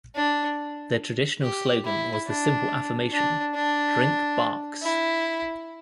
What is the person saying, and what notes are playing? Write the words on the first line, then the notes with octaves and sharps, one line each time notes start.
The traditional slogan was the simple affirmation Drink Barq's.
D4
G4
E4
D4
D4
D4
E4